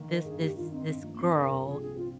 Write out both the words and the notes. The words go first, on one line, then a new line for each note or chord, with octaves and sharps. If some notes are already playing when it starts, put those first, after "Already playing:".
this this this girl,
Already playing: D#3 A#3
D#4 A#4
G2 G#4
A#3 G4
D#3 F4
C4 D#4
G2 C4
F3 A#3
A#2 C4
C4 A#4
C2
F3 G#4
A#2 G#4
C4 F4